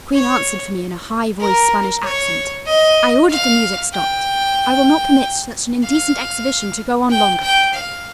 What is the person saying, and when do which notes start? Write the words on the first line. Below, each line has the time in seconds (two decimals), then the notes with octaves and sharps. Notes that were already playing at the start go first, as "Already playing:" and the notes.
The queen answered for me in a high-voiced Spanish accent: "I ordered the music stopped; I will not permit such an indecent exhibition to go on longer."
0.13 C#5
1.40 A#4
2.04 C#5
2.66 D#5
3.30 F5
3.93 G5
5.84 F5
7.10 G5
7.42 G5
7.73 F5